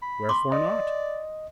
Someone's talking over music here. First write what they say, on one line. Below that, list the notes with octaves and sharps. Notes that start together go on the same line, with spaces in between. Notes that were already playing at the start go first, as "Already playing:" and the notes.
Wherefore not?
B5
C6 D6
D5 D#5